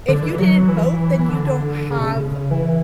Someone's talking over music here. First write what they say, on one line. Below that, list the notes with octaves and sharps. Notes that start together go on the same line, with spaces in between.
If you didn't vote, then you don't have"
D3
E3
F#3
E3
E3
D3
C#3
B2
C#3
E3